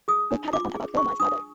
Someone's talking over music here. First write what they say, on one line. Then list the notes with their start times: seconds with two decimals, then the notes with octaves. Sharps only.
We paddled on about four miles farther.
0.08 G#4 D#6
0.31 D4
0.53 F4 D6
0.75 G#4
0.97 G#4 C#6
1.20 D4 D#6